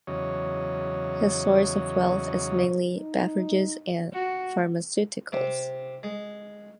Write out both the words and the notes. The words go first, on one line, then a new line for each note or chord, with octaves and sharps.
His source of wealth is mainly beverages and pharmaceuticals.
E2 C#3 F#3 C#5 D#5
D#4
F#4
C3
G#3